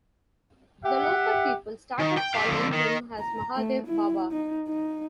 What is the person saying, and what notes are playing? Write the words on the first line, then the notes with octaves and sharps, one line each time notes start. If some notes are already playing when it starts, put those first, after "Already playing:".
The local people started called him as 'Mahadev Baba'.
G4 E5 F#5
D#3
G5
G4 F5
F2 D3
D#3
A#5
A3
E4
D#4
D#4